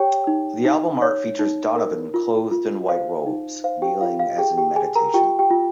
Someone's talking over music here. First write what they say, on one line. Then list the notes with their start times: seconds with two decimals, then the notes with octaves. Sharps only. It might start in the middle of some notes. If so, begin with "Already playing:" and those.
The album art features Donovan clothed in white robes, kneeling as in meditation.
Already playing: G4 C#5 G5
0.27 D#4
0.65 D#4
1.02 C#5
1.39 D#4
1.76 A#4
2.14 F4
2.51 F4
2.89 C5 F5
3.27 D#4
3.64 C5 F5
3.82 G4 G5
4.01 F4 F5
4.20 F5
4.38 G4 G#4 G5
4.58 G4 G5
4.76 G#4 G#5
4.95 A#4 A#5
5.14 F4 G4 G5
5.39 G4 G5
5.51 F4